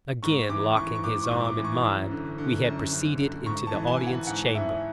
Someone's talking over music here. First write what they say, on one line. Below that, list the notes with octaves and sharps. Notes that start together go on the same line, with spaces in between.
Again locking his arm in mine, we had proceeded into the audience chamber.
G#2 C#6
E3 D6
E3 C#6
C#6
G#2 D6
C#6
G#2
D6
E3
C#6
F#2
D3
D3
F#2
F#2
D3
G#2 C#6
A5
E3
G#5
E3
F#5
G#2 F#5
G#2 E5